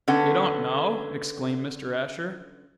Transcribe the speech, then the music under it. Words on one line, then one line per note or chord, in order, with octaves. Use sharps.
"You don't know!" exclaimed Mr. Asher.
D3 B3 C#4 A4 F#5